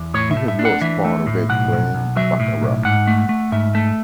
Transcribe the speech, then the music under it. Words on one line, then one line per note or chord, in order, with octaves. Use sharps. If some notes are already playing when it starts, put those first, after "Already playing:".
He had lost part of it playing baccarat.
Already playing: E2
A2 C#5
E5
A3
E5
D4
F#5
E3 E5
A3
A2
B1 F#5
B1
B1
F#3 E5
A2
B1
G#2 F#5
A3
A3
G#2 E5
A3